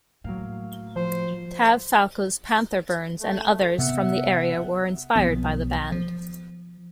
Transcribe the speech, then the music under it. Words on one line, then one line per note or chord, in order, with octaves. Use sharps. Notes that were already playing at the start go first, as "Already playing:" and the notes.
Tav Falco's Panther Burns and others from the area were inspired by the band.
A2 F#3 A#3 F5
F3 C5
A3
C3 B3 E5 F#5
B1 F3 B3
F3